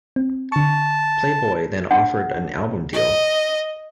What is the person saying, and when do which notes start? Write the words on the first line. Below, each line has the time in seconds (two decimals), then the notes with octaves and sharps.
Playboy then offered an album deal.
0.16 C4
0.52 D3 A5 C#6
1.91 D4 F#5
2.93 D#5